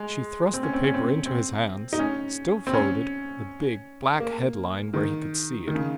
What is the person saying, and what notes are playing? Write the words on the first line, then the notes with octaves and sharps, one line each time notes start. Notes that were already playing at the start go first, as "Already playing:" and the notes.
She thrust the paper into his hands, still folded, the big, black headline where he could see it.
Already playing: G#3
C4
C#4
C4
C#4
C4
C4
D#4
C#4
C4
C#4
A#3
D#3
D#3
C#3